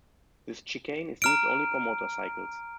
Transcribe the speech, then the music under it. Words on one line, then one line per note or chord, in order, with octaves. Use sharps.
This chicane is used only for motorcycles.
A#5 F6 D7